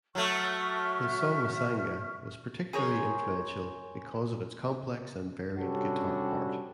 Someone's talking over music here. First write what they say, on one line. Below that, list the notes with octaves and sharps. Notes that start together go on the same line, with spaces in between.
His song "Masanga" was particularly influential, because of its complex and varied guitar part.
F#3 A3 E5 C#6 F6
G#4 A#4 C5 C#5
C3 G3 C#4 D4 F#4 A4